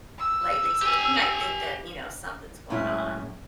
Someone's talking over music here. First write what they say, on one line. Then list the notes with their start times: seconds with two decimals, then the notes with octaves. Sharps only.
lately, so she might think that, you know, something's going on.
0.19 E6
0.82 G4 G#5
2.70 F#2 A2 G#3 C#4 E4